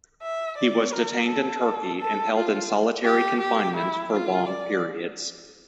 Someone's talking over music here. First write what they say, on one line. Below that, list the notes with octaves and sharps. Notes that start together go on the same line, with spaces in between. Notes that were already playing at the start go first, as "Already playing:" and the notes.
He was detained in Turkey and held in solitary confinement for long periods.
E5
D5
A#4
A4
A4
F4
G4
G4
E4
F4
D5